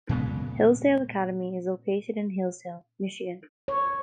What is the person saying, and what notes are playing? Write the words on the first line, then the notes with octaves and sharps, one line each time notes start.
Hillsdale Academy is located in Hillsdale, Michigan.
A#2 C#3 G#3 B3
C#5